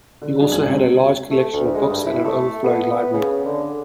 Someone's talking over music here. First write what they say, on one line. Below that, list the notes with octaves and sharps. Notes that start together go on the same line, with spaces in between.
He also had a large collection of books and an overflowing library.
D3
F#3 D4 D#4 G#4
G1 C#2 D5 G#5 G#6 F#7
C3 G#3 C4
A3
D2
G#3
G2
E4
A3
B3
B3
C#3
D3